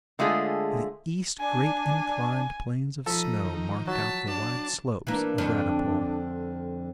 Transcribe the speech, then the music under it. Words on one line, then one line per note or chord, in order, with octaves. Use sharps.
To the east great inclined planes of snow marked out the wide slopes of Radipole.
D3 G#3 A3 F4 G#4
D4 G#5
F3 D#4 A4 B5
D#3
F#3 A5 B6
D4 A5
E3 A#3 D4
F2 D3